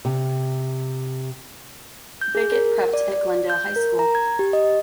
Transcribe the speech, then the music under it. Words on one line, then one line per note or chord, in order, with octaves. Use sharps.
Bickett prepped at Glendale High School.
C3
G6
G#4
A#4
D5
G6
A#4
A#5
G#6
G4
D#5